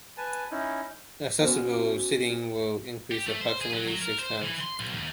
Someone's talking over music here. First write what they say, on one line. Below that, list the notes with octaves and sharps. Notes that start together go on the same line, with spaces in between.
Accessible seating will increase approximately six times.
B4 G#5 A5
C#4 D#4 E4
B3 C#4 F#4 C5 F5 G5
G4
A3
C5
G#4
F#3
F#3
A#4
C5
E3
C6
B1
D#2